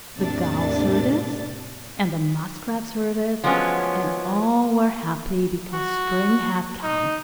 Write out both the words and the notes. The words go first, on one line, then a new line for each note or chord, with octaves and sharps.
The Gulls heard it, and the Muskrats heard it, and all were happy because spring had come.
E2 A2 C3 A#3 D4 A6
F3 F#3 G#3 B3 C#4
F#4
D#4